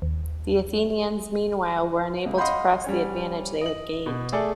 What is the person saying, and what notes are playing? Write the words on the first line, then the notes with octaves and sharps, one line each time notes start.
The Athenians, meanwhile, were unable to press the advantage they had gained.
D#2
C#2
D#5 F5 F#5 B5 C6 G6
G3 C#4 C#5
D#5 F#7
B2
A3 G#4 A4 D5